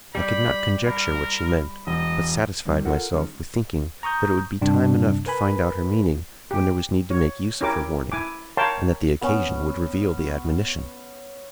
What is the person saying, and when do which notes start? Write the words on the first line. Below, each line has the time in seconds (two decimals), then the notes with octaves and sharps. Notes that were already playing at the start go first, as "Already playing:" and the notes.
I could not conjecture what she meant, but satisfied myself with thinking that it would be time enough to find out her meaning when there was need to make use of her warning, and that the occasion would reveal the admonition.
0.15 G3 B5
0.85 A#4 B5 C7
1.87 E1 D#5
2.65 G2 D3 D#3 F#3 G3
2.85 F4 A4 A#4 F#5
3.12 D3 D#3 F3 G#3 C#4
4.03 A#5 C#6 D#6 G6
4.61 G2 C3 D4
5.26 A#4 B4 G#5 B5
6.51 G4
7.10 C#5
7.61 C#4 E4 G4 A#4 D6
8.12 E4 G#5 D6
8.57 A#4 C#5 F5 G5 A5 C6
9.21 B3 C#4